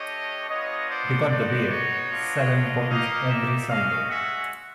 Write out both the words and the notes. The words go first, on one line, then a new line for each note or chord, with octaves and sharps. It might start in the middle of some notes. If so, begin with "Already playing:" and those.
They got the beer - seven bottles every Sunday.
Already playing: A3 D4 G4 C#5 D#5
B3 D4 F4 C#5 D#5
C5 D5
B3 D#4 F#4 C5 D5
C#5 D#5
B3 D4 F4
A#3 D#4 G4 D#5 F5
D5 E5
G#3 C#4 F#4 D#5 F5
E5 F#5